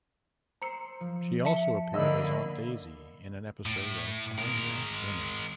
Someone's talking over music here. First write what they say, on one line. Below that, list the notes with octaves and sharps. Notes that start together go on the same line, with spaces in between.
She also appeared as Aunt Daisy in an episode of "Pioneer Women".
C5 A#5 E6 C7 C#7
F3
E5 A5 C#7
D3 A#3 D#5 B5 E6
A2
G#3 A#4